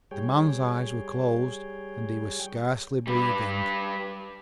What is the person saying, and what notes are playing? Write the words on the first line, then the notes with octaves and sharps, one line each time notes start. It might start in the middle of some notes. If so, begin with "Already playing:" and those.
The man's eyes were closed and he was scarcely breathing.
G3 G#4 C#5 G5
G3 B4